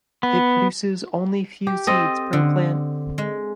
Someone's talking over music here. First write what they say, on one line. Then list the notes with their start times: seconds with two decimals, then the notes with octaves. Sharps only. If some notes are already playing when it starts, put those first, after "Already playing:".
It produces only few seeds per plant.
0.23 B3
1.67 G4
1.87 C4 A4 D#5
2.33 D3
3.18 G#3